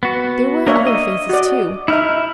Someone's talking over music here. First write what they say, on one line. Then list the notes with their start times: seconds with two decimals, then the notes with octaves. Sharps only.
There were other phases, too.
0.03 B3 F#4
0.67 A#3 D4 C#5 E5
0.87 D#5
1.29 F#4 D5
1.88 D#4 E4 E5 F6